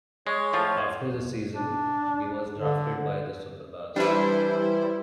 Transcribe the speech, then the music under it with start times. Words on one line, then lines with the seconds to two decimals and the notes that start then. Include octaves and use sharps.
After the season, he was drafted by the Superbas.
0.27 G#3 C#5
0.53 A2 F3 F4
1.54 D4
2.58 D3
3.96 E3 G3 D4 E4 B4 C5